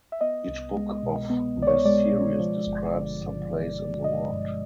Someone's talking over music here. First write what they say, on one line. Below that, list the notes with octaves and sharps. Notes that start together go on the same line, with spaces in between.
Each book of this series describes some place in the world.
E5
B3 D#5
C2
G#3
B2
B3
C2
D5
C#5
G#3 D5
B2
F3
G1
D3
G2
F3
G1
D3 D#5
G2